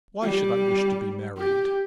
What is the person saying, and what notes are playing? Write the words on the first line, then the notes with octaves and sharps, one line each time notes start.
'Why should I wish to be married?
G3
G4